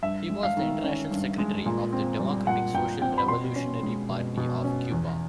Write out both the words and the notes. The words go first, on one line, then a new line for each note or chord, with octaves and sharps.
He was the international secretary of the Democratic Social-Revolutionary Party of Cuba.
G2 E5
G#3
F5
D#3
C#4
G2
G#3
A#2
C4
G3
A#2 F#5
A#2 G5
C4 G5
B5
B2 C6
C#4
G#3
B2
B2
C#4
E2